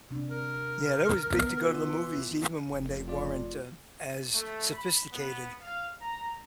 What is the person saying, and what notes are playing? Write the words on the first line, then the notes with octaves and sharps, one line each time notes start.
Yeah, that was big to go to the movies even when they weren't, uh, as sophisticated
C3 D4
A#4
B3
E3 F4
F1
F4 D5
A3
B5
B3
F5
A#5